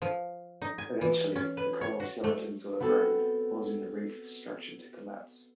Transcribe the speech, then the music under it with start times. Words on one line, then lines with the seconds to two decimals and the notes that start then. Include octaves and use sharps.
Eventually, the coral skeletons will erode, causing the reef structure to collapse.
0.02 F3
0.62 D#4
0.78 G#5
1.01 E3
1.36 C#4
1.57 B4
1.81 C#5
2.00 F#4
2.24 A3
2.80 B3 C4 F#4 A4